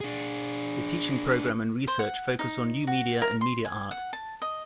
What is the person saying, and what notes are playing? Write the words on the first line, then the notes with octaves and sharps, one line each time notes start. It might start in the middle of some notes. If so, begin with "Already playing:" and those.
The teaching programme and research focus on new media and media art.
D4 G#4
C5
F#5
D#4
F#4
A#4
C6
G#5
F#5
A5
D#5